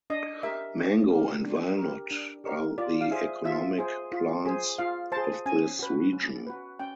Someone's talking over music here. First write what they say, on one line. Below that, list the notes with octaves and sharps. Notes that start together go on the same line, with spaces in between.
Mango and walnut are the economic plants of this region.
D4 D#5
G4 A#4 E5
D4
G4 A#4
D4
A#4
G4
D4
G4 A#4
F4 D5
F5
G#4 C5 E5
F4 E5
G#4 C5
F4
G#4 C5
F4 F5
G#4 C5 A5
C#4 G#5
F#4 B4
C#4
F#4 B4
C#4 G5